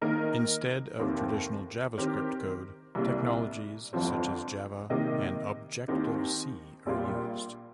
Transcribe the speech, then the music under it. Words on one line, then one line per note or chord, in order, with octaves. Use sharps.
Instead of traditional JavaScript code, technologies such as Java and Objective-C are used.
D#3 A#3 D#4 A#4 D#5
F1 D#2 D#3 C4 G4
D#3 C4 G4 A#4
C2 C3 G3 A#3
G1 F2 F3 C4
C3 D#3 A#3 G4 D#5
D#2 D#3 C4 D#4 G4
A#1 A#2 G3 A#3 F4